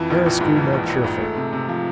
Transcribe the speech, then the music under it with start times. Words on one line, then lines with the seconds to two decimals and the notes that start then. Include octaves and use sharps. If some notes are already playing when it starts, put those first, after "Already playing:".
Harris grew more cheerful.
Already playing: F2 E3
0.10 A#1
0.26 A#1
0.41 G#2
0.57 E3
0.73 A#1
0.89 A#1
1.04 G#2
1.20 A3
1.37 C3
1.53 C3
1.69 F3